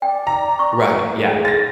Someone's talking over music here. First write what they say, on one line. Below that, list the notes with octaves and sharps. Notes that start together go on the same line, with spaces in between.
Right, yeah.
D5 G5
A#5
C#6
G#4
A6 A#6